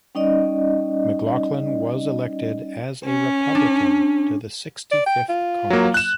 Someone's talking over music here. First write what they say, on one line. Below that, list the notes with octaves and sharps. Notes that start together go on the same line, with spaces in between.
McLaughlin was elected as a Republican to the Sixty-fifth Congress.
G3 C#4 D#4 D5 D#5
C#4
D4
D5
G5
F4
F#3 A#3
F#6 E7